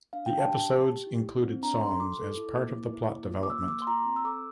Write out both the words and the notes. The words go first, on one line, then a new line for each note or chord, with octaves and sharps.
The episodes included songs as part of the plot development.
D4 F5
G5
D4
A5
G4
G4
G4
E4
E4
C4
D4 A#5
A4 C6
F4 D6
A4
E4
A#3
E4
E4
A#3
F4
D6
A#3 E6
A#3 D6
C6
F4 A#5
C4
E6
A4 D6